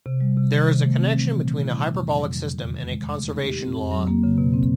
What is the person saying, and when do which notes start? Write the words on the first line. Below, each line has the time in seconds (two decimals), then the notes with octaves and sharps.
There is a connection between a hyperbolic system and a conservation law.
0.06 C3
0.21 G3
0.37 C3
0.52 D#3
0.68 C3
0.83 A3
0.99 C4
1.14 E3
1.30 A#2
1.45 C4
1.61 E4
1.76 G3
1.91 F2
2.06 F#3
2.22 F2
2.37 D3
2.53 E2
2.69 D#3
2.84 G#3
3.00 C3
3.15 A3
3.30 D#4
3.45 G4
3.61 C4
3.76 F2
3.92 F#3
4.07 A#3
4.24 C#3
4.38 B2
4.53 C4